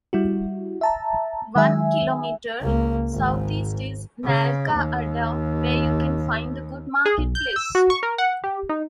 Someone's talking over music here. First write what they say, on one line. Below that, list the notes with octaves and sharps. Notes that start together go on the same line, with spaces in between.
One kilometer south east is Nalka Adda where you can find a good marketplace.
G3 E4 F#4
E5 A5 A#5
D#3 F#3 G#3 E5 G#5
C#2 A#3
G#1 G#2
C#3
D#2
G#4
B1
G6
E6
F#4
C#6
A#4
F#5
G4
D#4